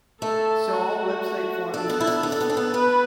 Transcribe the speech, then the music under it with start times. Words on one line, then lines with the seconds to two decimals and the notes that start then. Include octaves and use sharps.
So all website forums will use this format.
0.22 A3 A4
0.72 F#4
1.74 D4 A4
1.90 B3
2.00 E4
2.07 D4
2.23 B3 A4
2.32 D4
2.41 B3
2.49 D4
2.57 B3
2.74 B3 B4